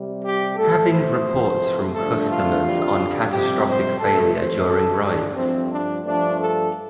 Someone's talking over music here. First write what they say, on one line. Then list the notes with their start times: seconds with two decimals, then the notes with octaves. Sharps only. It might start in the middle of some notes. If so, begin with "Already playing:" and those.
Having reports from customers on catastrophic failure during rides.
Already playing: C3 G3
0.23 G4
0.57 A2 A3 A4
0.91 C5
1.26 C3 F3 A3
1.94 G2 D3 F3 A3 A4
2.28 F4
2.62 F2 D3 G3
3.30 F2 C3 G3 G4
3.65 C5
3.99 C3 A3 A4
4.33 C5
4.67 G2 D3 A3 A4
5.01 D4
5.35 G2 F3 A3 C4
5.69 D4
6.03 G2 F3 A3 D4
6.38 A4